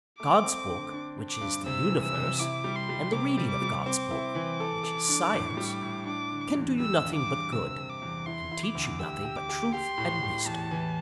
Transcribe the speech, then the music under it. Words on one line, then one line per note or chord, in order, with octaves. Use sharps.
God's Book, which is the Universe, and the reading of God's Book, which is Science, can do you nothing but good, and teach you nothing but truth and wisdom.
A3 D6
C4
D3
D4
D4
D6
G2
C3 E6
E3
E6
C3
E4 D6
G3
C6
G3
C3 D6
G3
D6
G3
C4 D6
E4
E3
A4
A4
D4
A2
G3
A2
D4 D6
D3
E2
G3 E6
G2
D6
G2
C3 E6
C3
D6
E2
E4 C6
E4
D6
D2
G4 E6
G4
D6
G4
G4 C6
A2
G4
E2 A5
E3